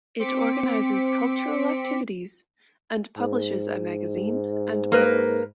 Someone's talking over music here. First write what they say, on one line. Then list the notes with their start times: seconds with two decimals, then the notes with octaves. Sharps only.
It organizes cultural activities and publishes a magazine and books.
0.19 C4 D6 B6 C#7
3.18 G#2
4.92 A#3 A#4 B4